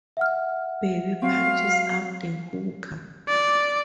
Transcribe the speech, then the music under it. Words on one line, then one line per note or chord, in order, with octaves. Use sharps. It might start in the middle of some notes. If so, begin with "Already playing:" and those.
Babe punches out the hooker.
E5 F#5 F6
F#3 C4 F5
D5